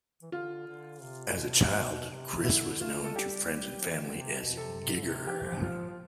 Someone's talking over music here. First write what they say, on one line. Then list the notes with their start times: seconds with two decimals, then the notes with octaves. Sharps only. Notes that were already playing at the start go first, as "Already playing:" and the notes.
As a child, Chris was known to friends and family as "Gigger".
0.22 E3
0.32 D3 F4
0.68 D3
1.03 C3
1.27 B2
1.51 C3
1.74 B2
2.09 C3
2.44 D3 E4
2.80 A3 F4
3.04 A4
3.15 G3 G4
3.86 E3
4.05 D3
4.21 C3
4.40 B2
4.57 C3 A4
4.81 C3
4.95 D3
5.05 C3
5.27 F3 G4
5.35 E3
5.43 F3
5.63 F4
5.90 F3